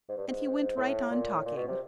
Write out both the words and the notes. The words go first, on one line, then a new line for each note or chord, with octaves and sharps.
And he went right on talking.
G#2
G2
G#2
A2
A#2
A2
A#2
B2
C3